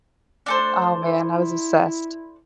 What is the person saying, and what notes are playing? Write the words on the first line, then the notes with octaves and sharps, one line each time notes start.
Oh, man. I was obsessed.
A3 D4 A4 C5
E4